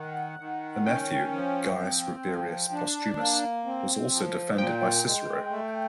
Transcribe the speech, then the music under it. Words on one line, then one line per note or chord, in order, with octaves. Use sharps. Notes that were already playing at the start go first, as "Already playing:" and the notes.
A nephew, Gaius Rabirius Postumus was also defended by Cicero.
Already playing: D#3 F#5
D#3
C#4 G5
F3
C4
F3
D4
A#3
C4
F3
A#2 G5
G#3
A3